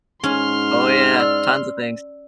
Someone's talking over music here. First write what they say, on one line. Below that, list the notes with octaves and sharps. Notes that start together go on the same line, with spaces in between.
Oh, yeah. Tons of things.
G#2 C#4 C6 F6
D5 E6